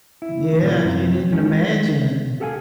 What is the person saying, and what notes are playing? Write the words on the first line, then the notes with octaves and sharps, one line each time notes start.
Yeah, I can't even imagine.
E4
A#2 C#3 E3 A#3 F4
F#2 C3 E3
D#3 G#3 C#4
G4 A4 F5 F#5 G#5